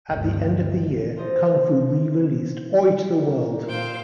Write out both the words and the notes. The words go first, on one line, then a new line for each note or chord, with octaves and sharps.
At the end of the year Kung Fu re-released Oi to the World!
G1 D2
F4 A4 C5 D#5 E5
D4 G4 A#4
A#2 C5 F5 G5